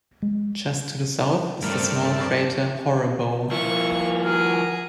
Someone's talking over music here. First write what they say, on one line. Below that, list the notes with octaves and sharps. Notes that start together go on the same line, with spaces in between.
Just to the south is the small crater Horrebow.
G#3
G2 A3 C4 A#4 D5 A5
F3 A#3 E4 C#6
F#4 G#4 A#4